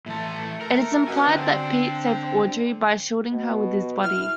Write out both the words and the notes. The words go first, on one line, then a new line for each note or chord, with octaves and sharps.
It is implied that Pete saved Audrey by shielding her with his body.
A2 E3 A3 A5
A#4
B2 C#4 G#5
D3 C4 D4
B2
E4 F6